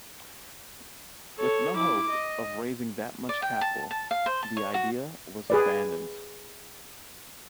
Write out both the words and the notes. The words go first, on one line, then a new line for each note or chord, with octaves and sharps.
With no hope of raising that much capital, the idea was abandoned.
A4 C#5
E4 D6
D#5
D5
G5
A5
A5
F5
C5
A5
C#5
F#4
G#4 B4 D5